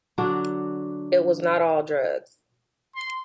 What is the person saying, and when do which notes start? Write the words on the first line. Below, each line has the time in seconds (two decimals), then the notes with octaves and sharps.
It was not all drugs.
0.18 D3 F#3 D4 F#4
2.96 C6